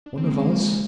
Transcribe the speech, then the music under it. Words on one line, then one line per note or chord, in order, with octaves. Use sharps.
One of us?
D4
C4
A#3
G#3
G#3
A#3
G#3